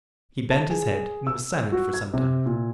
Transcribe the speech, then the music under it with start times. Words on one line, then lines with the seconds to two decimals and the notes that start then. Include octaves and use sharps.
He bent his head and was silent for some time.
0.50 A5
0.70 G#4
1.27 E6
1.72 F#4
1.94 G#6
2.14 C3
2.46 A#2